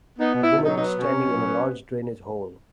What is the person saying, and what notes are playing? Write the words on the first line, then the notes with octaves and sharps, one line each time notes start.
A woman is standing in a large drainage hole.
B3 D#4
B2
E4
B2
F#3 D#4
D#4
B3
B2 C#4
B2
F#3
B3